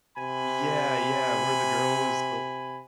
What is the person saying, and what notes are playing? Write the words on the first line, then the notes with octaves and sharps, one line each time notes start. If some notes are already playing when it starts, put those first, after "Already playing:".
yeah, yeah. Where the girl was th
C3 G#5 B5